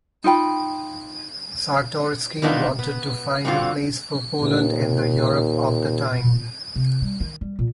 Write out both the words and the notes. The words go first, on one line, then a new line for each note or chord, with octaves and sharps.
Czartoryski wanted to find a place for Poland in the Europe of the time.
D#4 F4 G5 B5
E2 D#3 G#3 B3 D4 F4
B3
G2 D3 C4 C#4 F4 F#4
D#2 A#2
C3
G3
D#3
G3
A#2